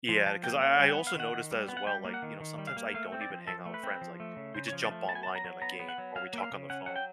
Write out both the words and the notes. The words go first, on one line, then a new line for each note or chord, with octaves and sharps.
yeah, cause I I also noticed that as well, like, you know, sometimes I don't even hang out with friends. Like we just jump online in a game or we talk on the phone,
F3
F3 A5
A#3 G5
C#4 F#5
G3
G5
F#5
B3
F5
D#3 F#5
D#3
G3
B3
F#5
G3 G5
A#3
F#5
D#3
D#3
G3
F5
A#3
A3 F5
C4
D5
F3
F3 A4
A3
B4
C4
F3
A3
C#3
C#3 C5
C#5
F3
D5
A3
B3 A5
G#5
A5
F#3
A#5
F#3
B3 A#5
B3
F#5
F#3
F#3 F5
A#3 E5
F5
C#3
C#4 F#5
F#3 F#5
G5